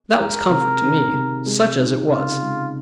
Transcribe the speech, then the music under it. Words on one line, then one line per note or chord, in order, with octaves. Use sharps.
That was comfort to me, such as it was.
G#3 A#4
C3
D#3
C3
G#3
D#4
C#3 F4
G#3